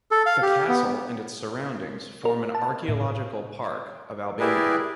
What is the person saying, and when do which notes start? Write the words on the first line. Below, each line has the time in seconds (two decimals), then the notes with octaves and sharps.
The castle and its surroundings form an Archaeological Park of Albania.
0.11 A4
0.26 F5
0.42 G4
0.69 B3
2.25 A#4
2.55 A5
2.89 A2
4.40 E4 G4 G#4 A#4 B4 D5